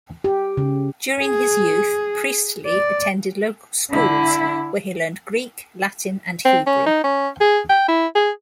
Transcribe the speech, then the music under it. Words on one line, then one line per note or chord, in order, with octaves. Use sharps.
During his youth, Priestley attended local schools where he learned Greek, Latin, and Hebrew.
G4
C#3
G#4
D5
D3 E4
C4
C#4
D#4
C#4
G#4
G5
E4
G#4